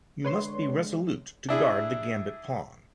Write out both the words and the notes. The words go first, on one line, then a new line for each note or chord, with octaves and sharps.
You must be resolute to guard the gambit pawn.
D3 G#3 B4 C#5 C6
D4 E4 G#4